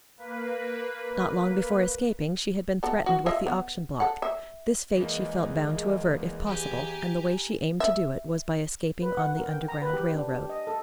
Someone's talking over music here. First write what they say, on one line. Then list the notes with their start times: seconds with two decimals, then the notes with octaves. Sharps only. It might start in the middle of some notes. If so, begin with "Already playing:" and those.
Not long before escaping, she had been threatened with the auction-block; this fate she felt bound to avert, if possible, and the way she aimed to do it was by escaping on the Underground Rail Road.
0.17 A#3 B4
2.83 B3 A4
3.06 F#4
3.26 F4 D#5 E5
3.47 B3
4.00 A4 F#5
4.22 E5
4.96 E2 G#3 A#3
6.46 G4 G#5 A#5
7.80 E5
9.02 B4
9.17 F#5
9.37 A#4
9.49 G5
9.68 A#5
9.82 B4
9.93 G4
10.14 D4
10.31 G4
10.50 D#5
10.67 A4